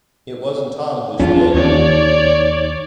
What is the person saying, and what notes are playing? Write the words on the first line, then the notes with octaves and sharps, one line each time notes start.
It wasn't Tom who spit.
E2 C#4 D4 F4
D#2 C#5 D5